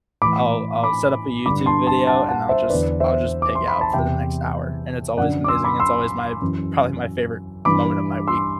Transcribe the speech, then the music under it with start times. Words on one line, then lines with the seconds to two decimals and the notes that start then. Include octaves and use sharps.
I'll I'll set up a YouTube video, and I'll just I'll just pig out for the next hour, and it's always amazing. It's always my probably my favorite moment of my week
0.22 A2 E3 B5 D6
0.83 B5 D6
1.46 G2 D3 B5 D6
1.66 A5 C6
1.87 A5 C6
2.07 F#5 A5
2.28 F#5 A5
2.49 C5 E5
2.69 E2 D3 B4 D5
3.00 C5 E5
3.42 D6
3.55 C6
3.68 B5
3.81 A5
3.93 E2 C3 E3 E5 G5
5.17 F#2 D3 D5 F#5
5.44 D6
5.48 C6 E6
5.64 B5 D6
5.80 C6 E6
6.42 F#2 E3
7.65 G2 E3 B5 D6
8.27 C6 E6